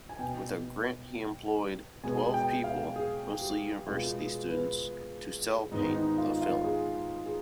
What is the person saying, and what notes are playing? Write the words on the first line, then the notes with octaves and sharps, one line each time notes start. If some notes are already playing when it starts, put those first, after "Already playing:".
With a grant he employed twelve people, mostly university students, to cel-paint the film.
G#5
B2 B3 G5
B2 G#3 B3 G#5
G5
F5
G#4
G4
B2 G#3 B3 F4
G#4
B4
G#2 D#3 B3 D#4
D#4
F4
F4
G#4
G#4